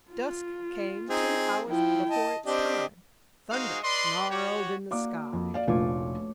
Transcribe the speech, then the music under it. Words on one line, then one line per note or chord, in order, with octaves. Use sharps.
Dusk came two hours before its time; thunder snarled in the sky.
F4
C4 D#4 G#4
F3 E4 G5
D#5 A5
C4 D4 G4 D#5
G#3 D#4 F#4 G#4 C5 F5
B4 D5 D#5 C6
F#4 G4 C#5
A#3 F#4 D5 F5 D6
F2
D5 F5
F1 A#1 A3 F4 C#5 D6